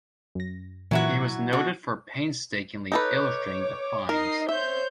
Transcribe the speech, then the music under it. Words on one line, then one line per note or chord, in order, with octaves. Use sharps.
He was noted for painstakingly illustrating the finds.
F#2 A#6
A#2 E3 F#3 E4 F#4
B2 F#4
D#4 A4 B4 C#5 D6
D#4 A#4 D#5 C7
C5 C#5 E5 G6